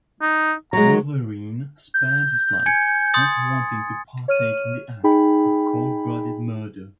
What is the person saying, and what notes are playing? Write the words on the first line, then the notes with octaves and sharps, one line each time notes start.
Wolverine spared his life, not wanting to partake in the act of cold-blooded murder.
D#4
F#3 G#3 A#5
G6
G#5 G#6 C#7
C6 D#6 A6
C#5 F6 D#7
D#4 G#4 G5 B5